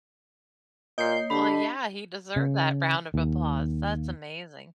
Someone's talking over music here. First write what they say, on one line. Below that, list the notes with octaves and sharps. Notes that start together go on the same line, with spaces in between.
Well, yeah, he deserved that round of applause, that's amazing.
A#2 A#3 C#5 D#5 G6 C7
D3 D4 G4 A5 B5
C#3
D#2